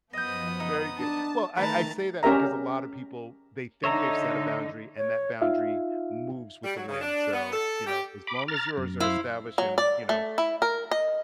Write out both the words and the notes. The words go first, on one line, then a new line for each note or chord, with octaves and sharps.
very good. Well, I I say that because a lotta people, they think they've set a boundary and that boundary moves with the wind. So, you know, as long as yours are established and, you know,
F#2 F3 B3 D#5 D#6 G6
D#4
D4 A5
D#3 E3 A3 B4 A5 A#5
C#4 G4 A#4 E5 A#5
D3 D#4 C#5 E5 A#5
C#5
D#4 F4 E5 F5
G3
F#3
C#3
D4
B3
A4
G4
B5 D6
A#5 F6 A6
F#2
E4 C5 F5
F#3
D5
A3
E4
A#4
D#5